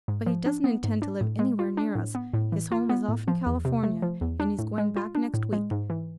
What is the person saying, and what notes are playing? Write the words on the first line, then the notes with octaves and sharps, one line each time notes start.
But he doesn't intend to live anywhere near us. His home is off in California, and he's going back next week.
G#2
F3
D4
B3
G#2
D4
A2
G#3
F4
D4
A2
B3
A2
E3
F4
B3
A2
F3
E2
C3
A3
F3
E2
D4
A2
G#3
F4
D4
A2
G#3
G#2
E3